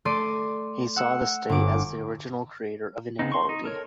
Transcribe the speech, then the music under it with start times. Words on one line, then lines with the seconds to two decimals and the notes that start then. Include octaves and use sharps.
He saw the state as the original creator of inequality.
0.05 A3 D5 C6 D6 D#7
0.96 F#5 E6
1.49 G1 D6
3.19 C#3 B3 C4 D#4
3.32 C6 C#6
3.49 D#4
3.64 A4 A#4 C#5